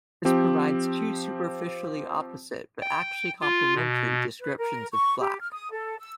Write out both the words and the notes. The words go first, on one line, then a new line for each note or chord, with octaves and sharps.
This provides two superficially opposite but actually complementary descriptions of black.
F3 C4 G4
G5
F4
B2
B4
A#4
C#6
G4
F6
D#6
A4
E6